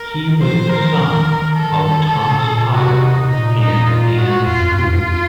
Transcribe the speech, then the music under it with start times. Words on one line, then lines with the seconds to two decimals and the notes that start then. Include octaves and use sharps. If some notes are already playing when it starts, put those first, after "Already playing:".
He was the son of Thomas Pile and Anne Poole.
Already playing: A#4
0.40 F3 C5
0.54 F3
0.69 D#3 A#4
0.84 F3
0.98 D#3
1.27 D#3
1.56 D#3 A4
2.14 C#3
2.43 A#2
2.72 C3 F#4
3.02 D#4
3.24 C3
3.30 A#2 D#4
3.59 D#4
3.89 F4
4.17 F#4
4.46 F2 F4
4.61 F#2
4.76 F2 F4
4.90 F2